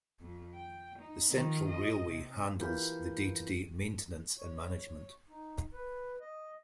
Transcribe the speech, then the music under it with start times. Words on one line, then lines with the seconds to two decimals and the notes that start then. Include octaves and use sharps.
The Central Railway handles the day-to-day maintenance and management.
0.20 F2
0.55 G5
0.99 D#4
1.29 D#3 F3
1.64 F4 D#5
2.05 C3
2.59 E3 F4 G4 A#4 B5 G6
4.38 C#5
5.29 D#4
5.73 B4
6.21 D#5